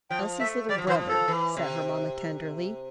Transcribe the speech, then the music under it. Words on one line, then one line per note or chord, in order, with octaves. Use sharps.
"Elsie's little brother," said her mamma, tenderly.
F3 G5
A3 E5
G3 D5
F3
E3 C5
F3
A4
E3
C3